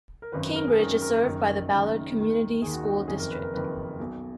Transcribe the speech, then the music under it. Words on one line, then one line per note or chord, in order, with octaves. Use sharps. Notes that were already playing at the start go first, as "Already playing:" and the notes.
Cambridge is served by the Ballard Community School District.
A#4
G#1 F#2 D#3 B4
B4
A#4
G#4
G#1 F#2 D#3 A#4
A#4
F#1 F#2 D#3 A#4
F#1 F#2 D#3
D#2 D#3
D#2 D#3 G#4
F#4
D#4
C#4
F#1 F2 D#3 G#4
A#4
B4
A#4
F#1 F2 D#3 B4
B1 B2